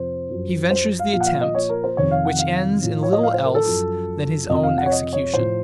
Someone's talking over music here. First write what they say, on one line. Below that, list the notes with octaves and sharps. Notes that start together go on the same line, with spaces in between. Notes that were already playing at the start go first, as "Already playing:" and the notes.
He ventures the attempt, which ends in little else than his own execution.
Already playing: F2 C3 F3 C5
F#2 F3
C5
F5
A#2 F3 F5
F#5
F5
D#5
C#5
A#4
C5
F2 C3 D#3 C#5
F5
F#5
F5
A2 F3
C#5
D#5
F5
C5
A#4
A4
F#2 F3
F2 C3 F3 D#5
F5
F#5
C#5
D#5
C#5
A2 F3 C5